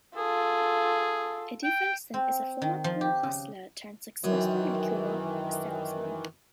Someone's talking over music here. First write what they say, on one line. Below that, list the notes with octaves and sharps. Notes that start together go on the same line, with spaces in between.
Eddie Felson is a former pool hustler turned successful liquor salesman.
F4 G#4 A4
G5
C4
D#3
F3
G4
C#3
F#2 D#3 E3